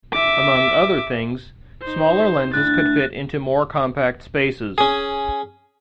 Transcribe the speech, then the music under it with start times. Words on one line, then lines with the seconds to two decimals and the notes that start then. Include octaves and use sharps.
Among other things, smaller lenses could fit into more compact spaces.
0.13 E5 D6
1.81 D#4 C5
2.54 D2 D4 E4 F#6 A6
4.78 C#4 G#4